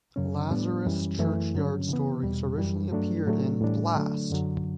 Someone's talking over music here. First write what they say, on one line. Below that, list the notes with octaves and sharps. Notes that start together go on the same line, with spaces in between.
Lazarus Churchyard stories originally appeared in Blast!
F#2 C#3 F#3 C#4
A2 G3 B3 D4
F#2 E3 G3 C#4
F#2 E3 A3 E4
G2 D3 F#3 C#4
C#3 E3 B3
E2 B2 G3
F#2 E3 G3
G2 F#3 A3 D4
A2 F#3 A3 D4
A2 E3 G3 D4
D3 F#3 A3 D4
F#2 D3 F#3